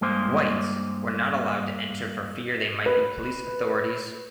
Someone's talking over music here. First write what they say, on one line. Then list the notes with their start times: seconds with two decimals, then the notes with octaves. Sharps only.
"Whites" were not allowed to enter for fear they might be police authorities.
0.01 G2 G#3 A#3 C5
2.86 B4